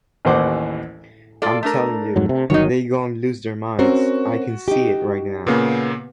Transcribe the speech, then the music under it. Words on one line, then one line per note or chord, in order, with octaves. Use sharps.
I'm tellin' you, they gon' lose their minds; I can see it right now.
A1 D#2 E3 C5 F#5 D6
F4 A4 D5
A3 D4 A#4
F2 G#2 F#3
C3
G1 D#3 F#3 D#4 C#5
C4 C#4 F#4 A#4
D#4 G4
A#2 C#3 A#3 B3